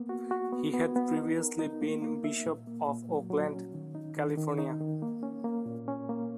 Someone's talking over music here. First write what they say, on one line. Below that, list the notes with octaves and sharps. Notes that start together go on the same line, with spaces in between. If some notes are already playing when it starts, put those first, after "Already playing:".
He had previously been Bishop of Oakland, California.
Already playing: A#3 B3
F#4
F#4
B3
B3
B3
D#4
A#4
D#4
A#3
A#3
E5
A#2
A#3
A#2
F#3
F#3
C#4
D#3
D#4
D#3
D#3
D#4
D#3
A#3
C#4
A#3
A#2
C#4
A#3